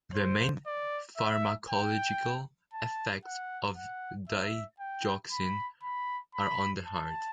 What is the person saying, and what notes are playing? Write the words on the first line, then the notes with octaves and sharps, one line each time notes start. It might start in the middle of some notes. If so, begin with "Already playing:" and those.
The main pharmacological effects of digoxin are on the heart.
C5
D5
E5
G5
A5
F#5
F#5
E5
G5
B5
B5
B5
A5